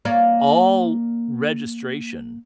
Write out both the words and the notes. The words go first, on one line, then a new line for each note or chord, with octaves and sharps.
all registration,
A#3 C#5 D5